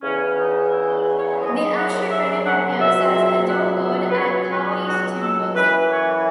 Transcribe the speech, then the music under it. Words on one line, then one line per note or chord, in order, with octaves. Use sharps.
The Azure Dragon appears as a door god at Taoist temples.
E2 C#3 E3 C#4
D#4
E4
C#5
F#2 C#3 F#3 D#5
F#5
E5
F#5
C#2 B2 F#3 E5
E5
F#5
E5
B4
C#2 B2 F#3 C#5
C#5
B4
G#4
F#4
A4
F#2 E3 B4
C#5